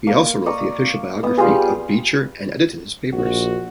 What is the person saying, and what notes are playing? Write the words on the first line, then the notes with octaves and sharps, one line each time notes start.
He also wrote the official biography of Beecher and edited his papers.
A#3
D5 A#5 C#6 D#6
B3 D#6
G3 F4 G4 G#4
A#1 F#4